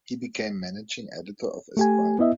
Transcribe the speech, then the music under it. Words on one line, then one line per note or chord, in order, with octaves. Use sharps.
He became managing editor of "Esquire".
A3 G4 G#5
B3 E4 D#5 E5